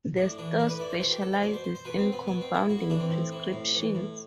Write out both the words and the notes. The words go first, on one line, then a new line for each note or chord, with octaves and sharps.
The store specializes in compounding prescriptions.
A2 D4
E3 D4
A2 D4
B4
E3 D5
C5
B2 A4
G4
A4
C5
B2 D5
C5
C5
C5
B2 B4
C4
B3
B2 B3
C4
E4
A2 F#4
E4
E3 D4
C4
A2
E3
A2
E3
A2